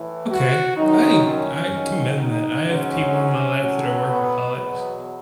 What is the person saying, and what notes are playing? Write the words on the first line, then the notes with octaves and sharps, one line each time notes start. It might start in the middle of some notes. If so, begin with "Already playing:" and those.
Okay, I I commend that. I have people in my life that are workaholics,
Already playing: A2 E3
F#4
F#2 D#3 F#3 D#4
C#4
G#2 D#3 F#3
D#4
G#2 F#3 C#4
A2 F#3
B3
E2 B2 F#3 B3